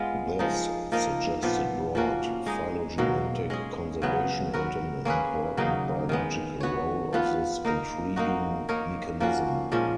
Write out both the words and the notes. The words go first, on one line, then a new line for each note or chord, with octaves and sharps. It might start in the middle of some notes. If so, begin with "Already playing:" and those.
This suggested broad phylogenetic conservation and an important biological role of this intriguing mechanism.
Already playing: G#3 B3 F4
F3 G#3 D#4
F3 A#3 D#4 A#4
A#2 F3 B3
F3 A#3 C#4 F#4
G#3 D#4 G#4
B2 F#3 A#3
G#3 C#4 G#4
C#3 F#3 B3
B3 F#4 A#4
A#3 C#4 G#4 B4
C#3 F#3 A#3 D#4
D#3 G#3 B3
B3 F#4 C#5
F3 B3 F4 B4
A#3 D#4 A#4
A#3 D#4 F#4
A#3 D#4 A#4 C#5
F3 A#3 C#4 F#4
A#2 F3 G#3 C#4